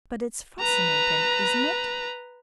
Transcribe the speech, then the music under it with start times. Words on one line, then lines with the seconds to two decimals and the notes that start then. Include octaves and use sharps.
But it's fascinating, isn't it?
0.60 B4 A#5